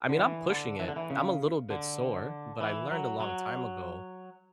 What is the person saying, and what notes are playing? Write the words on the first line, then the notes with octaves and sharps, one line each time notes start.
I mean, I'm pushing it, I'm a little bit sore, but I learned a long time ago,
D3
E3
D3
E3
D3
E3
C#3
D3
E3
F#3
F#3